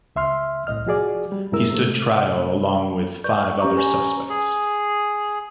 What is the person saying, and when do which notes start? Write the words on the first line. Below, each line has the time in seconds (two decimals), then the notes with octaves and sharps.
He stood trial along with five other suspects.
0.16 C#2 E5 C6 F6
0.67 C2 A2 D#5 F6
0.87 F3 F#4 G#4 D5
1.32 G3
1.52 G2 C3 G#3 E4 A#4 E6
1.72 C3 A3
3.24 B4 D5 C#6 G6
3.60 C#4 G4 A#5 C#6
3.77 B4 G#5 A#5 C#6
4.30 G#4